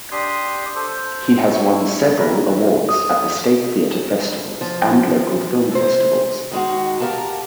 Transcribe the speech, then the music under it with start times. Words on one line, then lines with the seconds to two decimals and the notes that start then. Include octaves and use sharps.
He has won several awards at the state theater festivals and local film festivals.
0.12 D4 G4 C6 D#6
0.75 A4 C5
1.53 E4 C#6
2.18 E4 A#4 B4
2.89 D#6
4.61 F3
5.71 C3 C5
6.51 D#3 G#3 F#4
7.00 G4 A#4 F5 A5